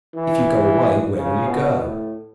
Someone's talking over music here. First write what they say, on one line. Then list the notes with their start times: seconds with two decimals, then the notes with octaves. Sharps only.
If you go away, where will you go?
0.15 E3
1.15 C#3
1.48 B2
1.81 A2